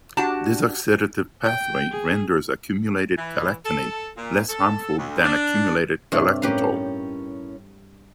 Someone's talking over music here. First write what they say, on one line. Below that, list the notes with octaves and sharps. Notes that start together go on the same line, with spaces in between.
This oxidative pathway renders accumulated galactonate less harmful than accumulated galactitol.
D4 F#4 G4 A5
G5
G#4
E3
A4
A#2
A4
D2
D4
G2 C3 A3 C#5 D5
A2 C#4 G4 A#4 B4 F5